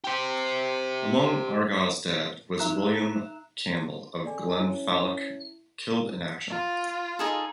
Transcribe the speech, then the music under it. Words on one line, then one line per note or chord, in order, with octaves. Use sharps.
Among Argyll's dead was William Campbell of Glenfalloch killed in action.
G4 C5
D#4 E5 A#5 F#6 E7
C4 G#4 A4 D5 G#5
C#4 E4
F4
D#4 G#4 A4